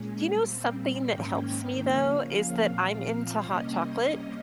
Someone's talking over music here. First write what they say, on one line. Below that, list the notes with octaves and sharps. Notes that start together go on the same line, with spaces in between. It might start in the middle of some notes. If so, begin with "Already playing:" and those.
Do you know something that helps me, though, is that I'm into hot chocolate,
Already playing: A#2 G#3 C#4
A#2 G3 C4
G#2 D#3 A#3 C#4 G5
C#3 F3 A#3 C#4 F5
A#2 F3 C4
C3 G3 A#3 C#4 D#5